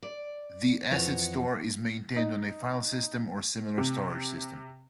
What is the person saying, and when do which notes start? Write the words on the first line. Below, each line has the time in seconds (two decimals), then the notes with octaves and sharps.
The asset store is maintained on a file system or similar storage system.
0.03 D5
0.91 F2 E3 F3 C#5 D#5 F#5
2.16 D#4
3.78 C3